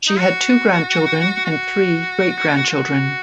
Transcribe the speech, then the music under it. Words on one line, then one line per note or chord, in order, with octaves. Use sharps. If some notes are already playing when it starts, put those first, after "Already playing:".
She had two grandchildren and three great grandchildren.
D#4
F#4
F#4
F#4